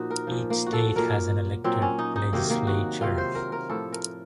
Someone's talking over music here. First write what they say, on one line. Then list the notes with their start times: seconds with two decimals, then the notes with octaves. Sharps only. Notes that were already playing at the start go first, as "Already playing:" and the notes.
Each state has an elected legislature.
Already playing: A#2 F3 D#4 F#4
0.11 A#4
0.27 A#2 F3
0.50 A#3
0.66 F#4
0.73 A4
0.96 A#2 F#3 A#4
1.64 A#2 F#3 C4
1.82 C#4
1.99 D#4
2.16 D#4
2.33 C3 D#3 F#3 A#3
2.50 A#3
2.67 F#4
3.01 C3 D#3 F#3 F4
3.18 C5
3.35 A#4
3.52 A#4
3.69 A2 F3 A4
3.92 A#4